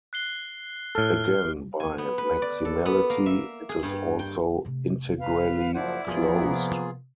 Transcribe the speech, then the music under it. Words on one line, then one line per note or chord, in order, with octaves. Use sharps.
Again by maximality it is also integrally closed.
F#6 C7 G7
A2 A4 F6 F#6
G#5
B3
B4
D5
A4
B3
A#3
E5
G#4
G2
G5
C3 A3
B4 F5
F#1 F3 E4 C5 D5 F#5
E2 G2 F3 A#3 B3 F4 G#4
C3 F#3